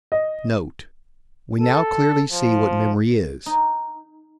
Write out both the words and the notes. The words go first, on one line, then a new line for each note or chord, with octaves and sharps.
Note.--We now clearly see what Memory is.
D#5
A4
F3
D#4